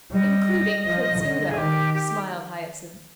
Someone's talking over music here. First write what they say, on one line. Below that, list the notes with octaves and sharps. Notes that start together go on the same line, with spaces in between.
"Including Prince Udo," smiled Hyacinth.
G3 D#5
F3
D3
G#4
D#3 G4
G4